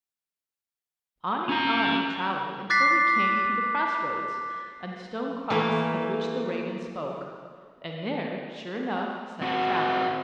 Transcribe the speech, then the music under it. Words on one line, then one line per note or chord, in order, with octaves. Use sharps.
On and on he travelled, until he came to the cross-roads and the stone cross of which the raven spoke, and there, sure enough, sat the traveller.
C#4 A#5
D6 F#6 A6 B6 C7
E3 A3 A#3
C4 F#4